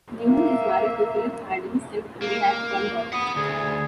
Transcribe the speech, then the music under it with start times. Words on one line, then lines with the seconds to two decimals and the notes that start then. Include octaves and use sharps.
Newell is married to Phillip Adams and they have one daughter.
0.25 A#3 E5
2.22 A#3
3.13 F#5 B5 D#6
3.36 D2 G#4